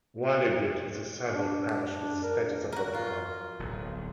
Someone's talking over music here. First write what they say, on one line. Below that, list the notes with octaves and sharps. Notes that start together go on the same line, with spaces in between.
Whaley Bridge is a civil parish with the status of a town.
D4
D4
A#4
F#4 A#4
F4
D1 B1